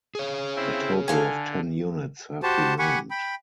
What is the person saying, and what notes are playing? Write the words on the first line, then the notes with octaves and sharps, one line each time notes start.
A total of ten units have been named.
G#4 C#5
C4 E4
D3 A4 F5 G#5
F#4 G4 C5 A5
G4 F#5 G#5 B5 C#6
G5 B5